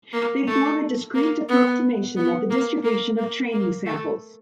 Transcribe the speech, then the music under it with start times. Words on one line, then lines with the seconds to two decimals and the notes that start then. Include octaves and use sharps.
They form a discrete approximation of the distribution of training samples.
0.13 A#3
0.47 A3
1.15 A#3
1.49 B3
2.17 B3
2.50 A#3
2.84 A#3
3.18 A#3
3.52 A#3
3.86 A3